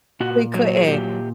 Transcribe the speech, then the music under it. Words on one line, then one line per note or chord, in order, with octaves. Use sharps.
probably couldn't.
A#2 F#4
F#3
G#4
A#2 G4